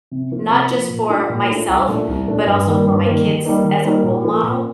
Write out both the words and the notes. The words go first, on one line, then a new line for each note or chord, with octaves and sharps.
Not just for myself, but also for my kids as a role model
C3
F3 A#3 F4
C3
F3 A#3 F4
A#2
A3 D4 F4
A#2
A3 D4 F4
C2
A#2 A3 D4
C2
A#2 A3 D4
G2
D#3 G3 A#3
G2
D#3 G3 A#3
D#3
G3 A#3 D#4 A#4
D#3
G3 A#3 D#4 A#4
A#2
F3 A#3 F4 A4
A#2